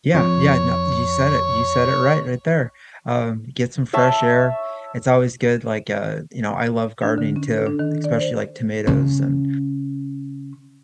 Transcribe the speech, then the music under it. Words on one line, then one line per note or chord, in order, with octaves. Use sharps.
Yeah, yeah, no, you said it, you said it right, right there. Um, get some fresh air, it's always good, like, uh, you know, I love gardening too, especially, like, tomatoes and
F2 C#5
C#5 E5 A5
D4
D3
C#4
A4
D4
D#3
D5
C5
C#3 C#4